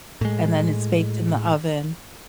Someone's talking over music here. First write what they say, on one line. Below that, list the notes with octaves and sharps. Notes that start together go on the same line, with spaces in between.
And then it's baked in the oven,
A2 G#3